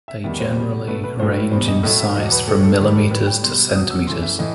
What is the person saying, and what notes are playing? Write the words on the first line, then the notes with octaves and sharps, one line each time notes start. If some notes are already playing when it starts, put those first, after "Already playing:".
They generally range in size from millimeters to centimeters.
E5
E2 D#3 G3 E5
C5
B2 G3
B2 A3 B4
B4
A2 F#3 A3 C5
B4
E2 B2 G3 C5
D#5
A2 F#3 A3 D#5
E5
E2 B2 F#3 D#5
B4
A2 F#3 A3 A4
A4
G2 D#3 G3 B4
A4
A2 G3 B4
G5
B2 G3 C6
E2 B2 F#3 D#6
E6
F#2 E3 A3 C6
E5
A2 E3 D#5